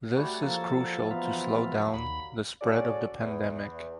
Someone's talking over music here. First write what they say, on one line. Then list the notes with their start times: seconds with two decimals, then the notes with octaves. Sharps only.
This is crucial to slow down the spread of the pandemic.
0.17 G3 A3 F#4 C#5
0.42 F3 A#3 A4
1.11 E3 B3 F4
1.94 D#2 B5
2.61 C#4 F#4 G#4 A4 D5
3.20 E2